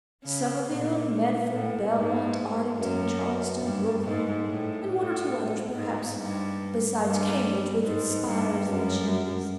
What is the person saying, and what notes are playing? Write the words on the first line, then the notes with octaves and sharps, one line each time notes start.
Somerville, Medford, Belmont, Arlington, Charlestown, Brookline, and one or two others, perhaps, besides Cambridge with its spires and chimneys.
C#3
A#2
A2
G#2
F#2
G2
G#2
A2
A2
G#2
G2
G2
G#2
G2
F#2